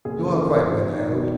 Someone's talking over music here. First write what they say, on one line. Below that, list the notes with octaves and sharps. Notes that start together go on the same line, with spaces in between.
You are quite well, I hope?
F#1 G#4
C#3 A4
E2 A#4
F3 C5
G1 C#5
D#3 D5
E1